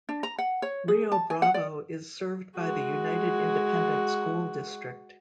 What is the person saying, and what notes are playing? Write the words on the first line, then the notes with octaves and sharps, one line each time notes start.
Rio Bravo is served by the United Independent School District.
D4
A#5
F#5
C#5
G#4
A5
G#5
F#5
D5
G#3 F#4